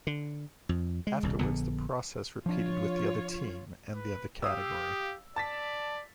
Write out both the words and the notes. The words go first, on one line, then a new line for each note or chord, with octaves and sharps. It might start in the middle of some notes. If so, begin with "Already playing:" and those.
Afterwards, the process repeated with the other team and the other category.
D3
F2
G#3
D#1 C2
A#1 D3 B3
F3 D4 F4 C#5
B4
G4 F5 D#6 E6
D5 A5 A6 B6